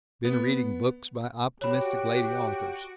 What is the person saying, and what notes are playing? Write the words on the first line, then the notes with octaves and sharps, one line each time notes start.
Been reading books by optimistic lady authors.
B3
F#4 G4 C#5 B5 D7